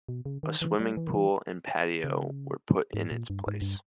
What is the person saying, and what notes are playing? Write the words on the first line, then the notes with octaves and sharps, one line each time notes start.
A swimming pool and patio were put in its place.
B2
C#3
D#3
E3
G3
E3
D#3
E3
C#3
G#2
A#2
G2
G#2
G2